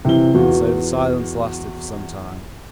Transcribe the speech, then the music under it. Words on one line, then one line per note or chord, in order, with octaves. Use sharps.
And so the silence lasted for some time.
C3 E3 G7
E2 F4 F#4